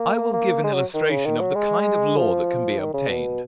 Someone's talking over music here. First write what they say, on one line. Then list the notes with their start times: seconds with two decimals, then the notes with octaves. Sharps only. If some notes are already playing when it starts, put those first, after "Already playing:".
I will give an illustration of the kind of law that can be obtained.
Already playing: A#3
0.33 A#3
0.64 G#3
0.73 F#3
0.94 D#3
1.10 C#3
1.25 D#3
1.40 F#3
1.56 G#3
2.17 F3
2.78 D#3
2.94 C#3
3.09 B2